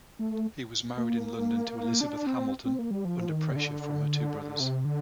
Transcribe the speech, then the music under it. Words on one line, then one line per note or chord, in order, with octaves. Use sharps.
He was married in London to Elizabeth Hamilton, under pressure from her two brothers.
A3
A#3
D4
C4
C4
A#3
G3
F3
D#3
C3
D3
C3
D3